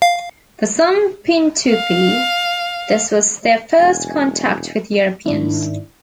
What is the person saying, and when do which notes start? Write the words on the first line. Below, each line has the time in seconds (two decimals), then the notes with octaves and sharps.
For some Pintupi, this was their first contact with Europeans.
0.02 F5
1.69 F5
3.79 E1 G#5
5.26 G#2 D#3 D4 E4